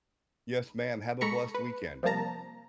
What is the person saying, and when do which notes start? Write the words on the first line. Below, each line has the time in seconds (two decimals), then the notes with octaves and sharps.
Yes, ma'am, have a blessed weekend.
1.21 G#3 A4 A#5 B5 C#6 C#7
1.55 B4
2.03 C3 F3 G3 A#3 A5 A#5